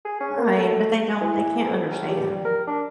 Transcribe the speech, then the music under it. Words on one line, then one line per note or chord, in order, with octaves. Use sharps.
Right, but they don't they can't understand.
G#4
C#4
A#3
A3
E3
F2
C#2
G3
A#4
D4